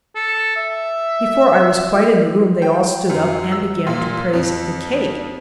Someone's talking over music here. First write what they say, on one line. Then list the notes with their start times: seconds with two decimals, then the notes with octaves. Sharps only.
Before I was quite in the room they all stood up and began to praise the cake.
0.16 A4
0.56 E5
2.62 G5
3.10 F#2
3.52 E6
3.87 A#2
4.33 F2